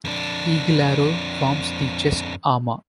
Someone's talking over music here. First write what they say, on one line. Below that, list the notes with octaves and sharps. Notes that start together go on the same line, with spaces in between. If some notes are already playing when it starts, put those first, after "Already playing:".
Eaglearrow forms the chest armor.
F2 D4